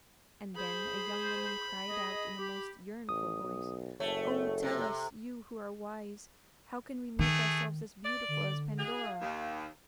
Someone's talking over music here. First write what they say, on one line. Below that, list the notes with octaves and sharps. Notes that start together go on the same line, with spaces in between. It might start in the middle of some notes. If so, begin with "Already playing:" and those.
And then a young woman cried out in a most yearnful voice, "O tell us, you who are wise, how can we make ourselves as beautiful as Pandora!"
G#4 C5 B5
G#4 D#5
G4
A1 D#6
B1
F#1 A3 C#5
C3
D#3 A3 G#4
D5
D3
E3 F#3 G#4
F5
D#2